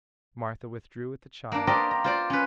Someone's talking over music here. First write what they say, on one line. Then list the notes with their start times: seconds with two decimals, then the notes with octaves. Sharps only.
Martha withdrew with the child.
1.52 A#3 D4
1.67 G4 A#4 C5 D5 D#5
1.91 A#5
2.04 F4 C5 D5
2.30 C#4 B4